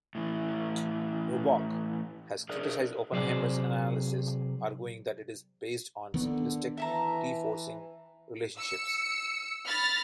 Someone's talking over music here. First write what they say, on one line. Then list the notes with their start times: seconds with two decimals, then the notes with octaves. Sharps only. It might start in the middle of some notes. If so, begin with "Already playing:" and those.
Robock has criticized Oppenheimer's analysis, arguing that it is based on simplistic T-forcing relationships.
0.15 A2 E3
2.49 G#4 A#4 D5
3.12 C3 F#3 G#4 C5 D5
6.14 D3 D#3 B3
6.77 E3 E5 A5 A#5
8.58 E6 C#7
9.67 B5 F6 A6 A#6